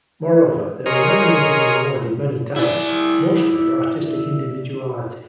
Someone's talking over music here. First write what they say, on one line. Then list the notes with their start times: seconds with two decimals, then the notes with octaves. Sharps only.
Moreover, they were nominated and awarded many times - mostly for artistic individuality.
0.86 G#4 A#4 C#5 D#5 C6 F6
2.56 E4 D5